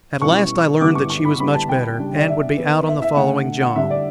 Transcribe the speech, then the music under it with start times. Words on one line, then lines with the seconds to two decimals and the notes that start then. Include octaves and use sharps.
At last I learned that she was much better, and would be out on the following jom.
0.22 B2 G3 C#4 E4 C#6
0.81 D3 G3 B3 E4 D6
0.95 C#6
1.10 C#6
1.25 B5
1.40 D3 G3 B3 B5
1.54 A5
1.69 G5
1.98 C#3 G3 D4
2.17 D5
2.28 E5
2.57 E3 B3 E4
2.87 E5
3.02 E5
3.16 D3 A3 D4 F#5
3.61 F#5
3.75 D3 G3 D4 E5
3.90 D5